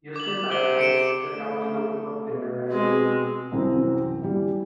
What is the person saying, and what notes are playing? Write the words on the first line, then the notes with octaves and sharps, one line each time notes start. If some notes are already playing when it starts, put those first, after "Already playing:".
Eustis High School is the town's local public high school.
D6 F#7
C3 D6 G7
C#7 D7 E7
A3
B2
G#3 C4
C2 F#2 E3 C4
E3 G3